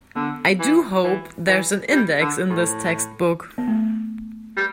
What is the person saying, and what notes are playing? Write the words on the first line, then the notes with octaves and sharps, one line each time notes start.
I do hope there's an index in this textbook.
D3 B3
E3
E3
E3
G3
D3
A2
B3
A3
G3